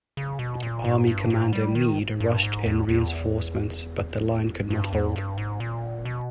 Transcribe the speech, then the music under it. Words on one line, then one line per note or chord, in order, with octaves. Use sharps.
Army commander Meade rushed in reinforcements, but the line could not hold.
C#3
B2
A#2
G#2
G2
G#2
G3
D#3
G2
G#2
E2
E2
G2
E2
G2
G#2
A#2
B2